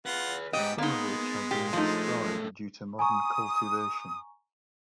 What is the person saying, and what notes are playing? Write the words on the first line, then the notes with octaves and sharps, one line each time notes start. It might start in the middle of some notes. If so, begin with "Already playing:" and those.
Some of which have been destroyed due to modern cultivation.
F4 G#4 B4 F#5
D#2 G#2 B3 G4 D#5 G5
G#3 A#3 B3 D#4
A#2 G4
A#2 F3 A3 D#4
G#5 A#5 C#6 D#6